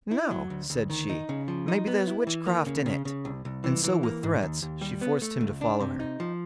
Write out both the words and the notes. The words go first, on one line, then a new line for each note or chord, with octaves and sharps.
'No', said she, 'maybe there's witchcraft in it'; and so with threats she forced him to follow her.
E4
F#3
D2
D2
D#3
D#4
C#3
F3
D#4
B3
E4
E3
A#3
C#3
C#3
C#3
C2
C2
E3
E3
A#3
G#2
D#2
D#2
G3
B3
A3
C#2
D4
C3
D#4
F3